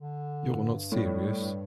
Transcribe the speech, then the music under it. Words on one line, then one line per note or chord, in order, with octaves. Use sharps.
You're not serious.
D3
G2
A2 G3
G2